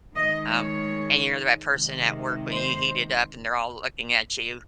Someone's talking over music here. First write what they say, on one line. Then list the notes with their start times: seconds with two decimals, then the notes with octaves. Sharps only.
um, and you're the right person at work when you heat it up, they're all looking at you,
0.14 D#3 G#3 D#5
0.54 C#5
1.72 C3 D#3 G#3
2.53 C5